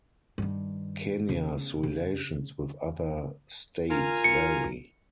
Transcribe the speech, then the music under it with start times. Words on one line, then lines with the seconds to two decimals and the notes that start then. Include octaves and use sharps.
Kenya's relations with other states vary.
0.38 G2 D#3
1.29 C#3 B3
1.83 C#3
3.90 F4 A#4 G#5
4.24 C#7